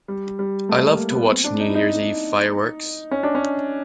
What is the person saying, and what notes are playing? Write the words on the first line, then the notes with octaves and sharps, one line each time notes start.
I love to watch New Year's Eve fireworks.
G3
G3
A3
A#3
B3
C4
D4
D#4
E4
D#4
C#4
D4
C#4